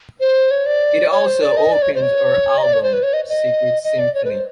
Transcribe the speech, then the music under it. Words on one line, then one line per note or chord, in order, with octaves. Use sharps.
It also opens her album "Secret Symphony".
C5
C#5
D5
C#5
C5
D5
D#5
D5
C#5
C5
C#5
D#5
D5
C#5
C5
B4
C#5
D#5
D#5
D#5
D5
C#5
B4
C5